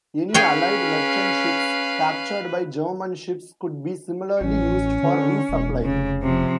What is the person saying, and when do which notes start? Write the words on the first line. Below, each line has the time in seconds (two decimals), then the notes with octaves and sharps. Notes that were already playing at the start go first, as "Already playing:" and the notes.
Any Allied merchant ships captured by German ships could be similarly used for resupply.
0.34 C#4 G#4 B4 C#5 F5 G5
4.41 A1 C#4
5.03 D3
5.49 E1
5.85 F1 C#3
6.23 C3 F3